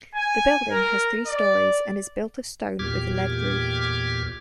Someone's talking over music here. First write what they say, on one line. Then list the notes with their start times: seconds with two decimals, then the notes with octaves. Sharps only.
The building has three storeys and is built of stone with a lead roof.
0.15 G#5
0.71 A#4
1.26 D5
2.79 E2 A#2 G4 D6 F6 G#6